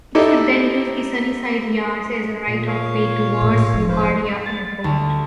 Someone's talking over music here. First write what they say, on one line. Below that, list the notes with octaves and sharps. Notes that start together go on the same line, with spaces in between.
It would then use the Sunnyside Yards as a right-of-way towards LaGuardia Airport.
D#4 E4 G4 A4 D#5
A#2
C#5 F5
A2
F1 F3
B4 C5 F5
A6
D2